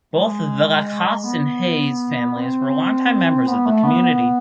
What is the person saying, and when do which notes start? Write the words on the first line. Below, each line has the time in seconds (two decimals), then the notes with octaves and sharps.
Both the Lacasse and Hayes families were long time members of the community.
0.14 G#3
1.24 B3
2.36 C4
3.47 B3
3.66 A3
3.84 B3
4.03 B3